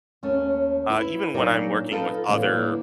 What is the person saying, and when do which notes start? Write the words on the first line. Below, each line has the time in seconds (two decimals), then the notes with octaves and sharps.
uh, even when I'm working with other,
0.23 D#2 A3 C#4
0.90 E4 B4
1.34 A#2 F#3 D4 D#4 A#4
1.92 D#4 F4 A4 B4
2.28 A2 D3 E3 G3 A#3